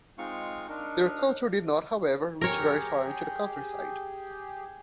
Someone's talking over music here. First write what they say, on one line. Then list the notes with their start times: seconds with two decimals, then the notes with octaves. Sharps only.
Their culture did not, however, reach very far into the countryside.
0.18 G#3 C4 D#4 F4 F5 C#6
0.69 D4 D#4 A#4
2.41 G4 G#4 A#4 C#5